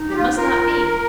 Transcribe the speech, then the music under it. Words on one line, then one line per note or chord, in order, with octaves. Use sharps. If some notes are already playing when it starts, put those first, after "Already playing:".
It must not be!
Already playing: D#4
G4
F4
F4 A#4